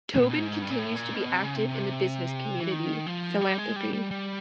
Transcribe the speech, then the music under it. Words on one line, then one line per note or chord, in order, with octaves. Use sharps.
Tobin continues to be active in the business community, philanthropy.
B2
A#2
B2
G#2
G2
A#2
A2
A#2
B2
C3
C#3
C3
E3
D#3
F3
G3
G#3
G3
G3
G3